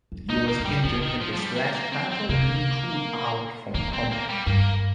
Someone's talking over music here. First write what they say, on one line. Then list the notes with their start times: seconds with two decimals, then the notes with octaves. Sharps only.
He was injured in this last battle being pulled out from combat.
0.12 F2
0.30 D#4
0.36 F2
0.48 A#3
0.60 G2
0.65 G3
0.84 A#2 F3
1.02 D#3
1.21 F3
1.33 F3
1.38 G3
1.56 A#3
1.75 A#3
1.93 C4
2.12 C4
2.29 C3 A#3
3.74 D#3 A#3
3.93 C4
4.11 A#3
4.29 G3
4.46 G2 A#3